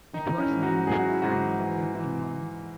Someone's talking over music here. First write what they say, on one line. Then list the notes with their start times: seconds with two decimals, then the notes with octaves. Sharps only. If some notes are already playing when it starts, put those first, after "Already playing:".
It was named for Samuel M. Inman.
0.13 D#3 D#4
0.38 C#4 E4
0.50 G#2
0.63 D#4 F#4
0.87 F#3 G#4
0.99 F#4
1.10 E4
1.22 G#2 D#4 F#4
1.59 E3
1.95 E3